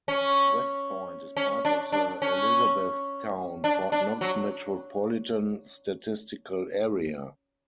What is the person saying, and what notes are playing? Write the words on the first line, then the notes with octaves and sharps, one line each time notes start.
West Point is part of the Elizabethtown-Fort Knox Metropolitan Statistical Area.
C#4
C#4
D4
D4
C#4
D4
D4
F#3